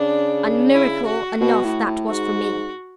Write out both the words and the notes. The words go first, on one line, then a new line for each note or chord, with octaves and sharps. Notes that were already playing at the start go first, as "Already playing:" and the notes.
And miracle enough that was for me.
Already playing: C#3 D4
E4
F#4
B2 F#4
A2
A2
G#2 F#4